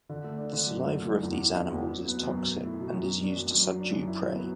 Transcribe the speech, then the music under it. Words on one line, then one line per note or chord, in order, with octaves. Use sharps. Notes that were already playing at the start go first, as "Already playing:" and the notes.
The saliva of these animals is toxic and is used to subdue prey.
D3
A3
D4
D3
F#2
D3
A3
F#2
E2
E3
D4
E2
E4
F#3
B3
F#2
B2
A3
E4
B2
F#2
F#3
D4
F#2
F#2
F#3
D4
F#2
E4
F#3
B3